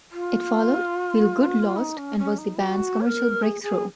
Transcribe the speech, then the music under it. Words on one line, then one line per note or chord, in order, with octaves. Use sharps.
It followed "Feel Good Lost", and was the band's commercial breakthrough.
F4
D#4
C#4
C#4
D#4
F#4
C#5
A#4
G#4
G#4